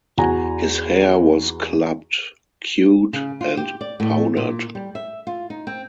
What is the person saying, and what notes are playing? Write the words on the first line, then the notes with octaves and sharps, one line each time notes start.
His hair was clubbed, queued, and powdered.
E2 F#4 G#5 A#5
C#3
F4
G4
D5
A2
A#2
G3
E5
F4
D#4
C4